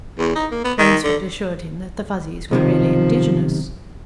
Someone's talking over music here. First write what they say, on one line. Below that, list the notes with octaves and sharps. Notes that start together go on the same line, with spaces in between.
Rainsford assured him that the Fuzzies were really indigenous.
E2
D#4
A#3
B3
D#3
D3
B1 C3 D#3 F3